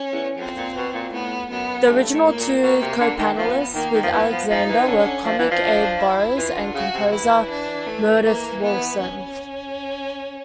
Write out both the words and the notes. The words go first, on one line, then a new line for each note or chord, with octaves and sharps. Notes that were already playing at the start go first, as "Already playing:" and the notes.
The original two co-panelists with Alexander were comic Abe Burrows and composer Meredith Willson.
Already playing: C#4
E2
F2 C4
A#2
B2
A#2
A2 B3
F#2 B3
G2 A3
A2
A#3
A#2
B2 A#3
C3
D3
D#3
F3 B3
D#3 A#3
D#3
F3
E3 B3
F3
F3 D#4
E3
D3 C#4
F3 D4
E3
F3
D4
E4
E3 F4
D3
C#3 F#4
C3
E3 E4
D4
A3
A#3
B3
C#4